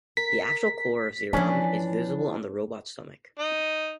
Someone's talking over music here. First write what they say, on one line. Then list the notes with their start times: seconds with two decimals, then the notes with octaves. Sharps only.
The actual core of Zeiram is visible on the robot's stomach.
0.17 A#4 B6
1.33 E3 F3 C#4 D4 F4
3.39 D#4